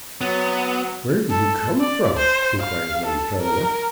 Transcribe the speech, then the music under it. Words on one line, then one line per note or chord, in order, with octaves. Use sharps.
"Where do you come from?" inquired Lady Helena.
F#3 B3
A4
D5
C5
F5
A4
A#4